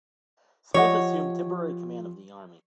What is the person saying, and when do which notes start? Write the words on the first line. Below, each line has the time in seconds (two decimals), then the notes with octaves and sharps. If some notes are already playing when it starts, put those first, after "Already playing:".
Smith assumed temporary command of the army.
0.74 F3 G4 C#5 D#5 F#5